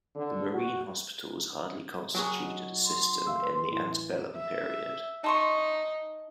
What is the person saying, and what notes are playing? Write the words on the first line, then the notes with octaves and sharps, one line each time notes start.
The marine hospitals hardly constituted a system in the Antebellum period.
D3
F#4
F#3 F#4 G#4
D#4
C6
E5 F5 E6
B4
A2 E3
E5
D#4 A5 C6 C#6